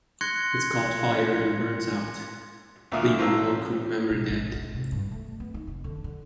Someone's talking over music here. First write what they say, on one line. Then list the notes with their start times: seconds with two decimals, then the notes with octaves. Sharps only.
It caught fire and burned out, leaving one crew member dead.
0.21 C6 F#6 G#6 A#6 C#7 G7
2.92 D2 A#2 A#4 E5 F5 D#6
3.18 A1 C5 A#5 E6
4.10 B2
4.29 G#1
4.55 E2
4.75 C3
4.92 G2
5.11 A3
5.40 B3
5.54 D#4
5.67 F1
5.84 D3
6.04 D3